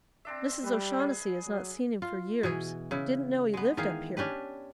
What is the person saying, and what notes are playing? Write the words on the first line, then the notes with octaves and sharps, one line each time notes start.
Mrs. O'Shaughnessy has not seen him for years,--didn't know he lived up here.
C4 D4 E5
G3 B4
G#4
F#3
F4
B2 E3 G#4
C#3 E4
G#3 B3
D#3 E3 G#4 F5
C#4 D4 G4 B4